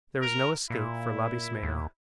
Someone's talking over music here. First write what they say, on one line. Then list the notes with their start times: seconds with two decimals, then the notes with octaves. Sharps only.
There was no escape for Labismena.
0.21 A#4
0.70 A#2 E4
1.63 D#2